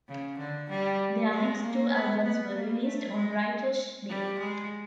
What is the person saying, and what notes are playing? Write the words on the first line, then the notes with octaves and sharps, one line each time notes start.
Their next two albums were released on Righteous Babe.
C#3
D3
G3
G#3
A#3
B3
B3
A#3
A3
G#3
G3
G#3